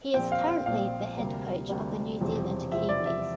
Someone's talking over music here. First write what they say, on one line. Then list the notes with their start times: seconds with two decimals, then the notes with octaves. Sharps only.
He is currently the head coach of the New Zealand Kiwis.
0.14 A#1 A#2 F3 C4 G5
0.32 F5
0.49 F5
0.66 A#1 A#2 F3 C4 F5
1.17 D2 C3 G3 A#3
1.68 D2 C3 G3 A#3
2.21 E1 E2 C3 F3 C4
2.71 E1 E2 C3 F3 C4 E5
2.89 D5
3.06 E5